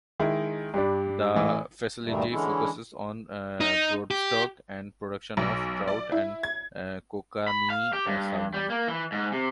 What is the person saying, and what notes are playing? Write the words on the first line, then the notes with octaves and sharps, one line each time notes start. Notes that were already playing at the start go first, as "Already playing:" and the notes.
The facility focuses on broodstock and production of trout and kokanee salmon.
D#3 G#3 E4
G2 G3 D4
A2 E3
D2 G2 A#2 D#3 G3 A3
D3 E3 G#3 C#4 E4
D#4
G4
B1
D5
E4
G#6
B5
F5
G4
G2
G3
A#3
E3
G#2
C3